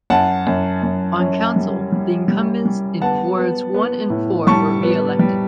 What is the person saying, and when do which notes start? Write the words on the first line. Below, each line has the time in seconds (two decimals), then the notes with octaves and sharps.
On Council, the incumbents in wards one and four were re-elected.
0.10 F#2 F#5 A5
0.47 F#2
0.83 F#2
1.19 C#4
1.56 G3
1.92 G3
2.28 G3
2.65 G3
3.02 B3 F#5 A5
3.38 B3
3.74 B3
4.10 A2
4.47 G3 A5 C#6
4.83 B3
5.19 G3